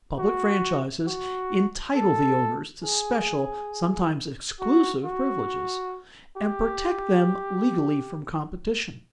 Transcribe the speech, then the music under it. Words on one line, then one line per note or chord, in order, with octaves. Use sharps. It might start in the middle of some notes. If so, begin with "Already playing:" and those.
Public franchises entitle the owners to special, sometimes exclusive, privileges, and protect them legally from competition.
F#4
F#4
A4
G#4
F#4
F#4
G4